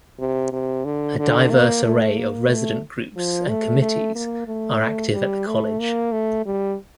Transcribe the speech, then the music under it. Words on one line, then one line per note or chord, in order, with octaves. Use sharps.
A diverse array of resident groups and committees are active at the college.
C3
C3
D3
D3
A#3
A3
A#3
A3
F3
A3
A3
A#3
A3
G3
A3
A#3
A3
G3